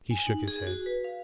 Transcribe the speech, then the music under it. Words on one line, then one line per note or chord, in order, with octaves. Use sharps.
He shook his head.
G#5
D#4
G#4
F#4
B4
F5